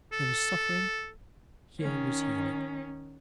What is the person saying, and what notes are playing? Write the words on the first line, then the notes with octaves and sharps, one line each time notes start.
There was suffering; here was healing.
A4
D#3 C#4